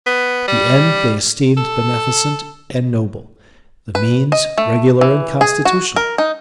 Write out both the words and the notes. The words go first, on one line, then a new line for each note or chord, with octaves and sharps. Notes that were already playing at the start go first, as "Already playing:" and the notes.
The end they esteemed beneficent and noble; the means, regular and constitutional.
B3
G3
A4
B4
D#5
A3
E3
G#4
F#4
A#4
D#4